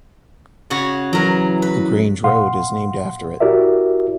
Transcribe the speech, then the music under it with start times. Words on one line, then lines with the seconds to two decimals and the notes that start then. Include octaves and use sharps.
The "Grange Road" is named after it.
0.70 C#3 F#4 C#5
1.13 E3 F#3 A#4
1.62 B4
2.24 A#2 F5 F#5 C6
3.40 E4 F#4 G4 A#4 D5 E5